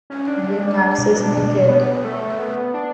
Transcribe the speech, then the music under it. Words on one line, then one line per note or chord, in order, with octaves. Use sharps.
Will maxis make it?
C#4
D4
B2
B3
A3
B3
D4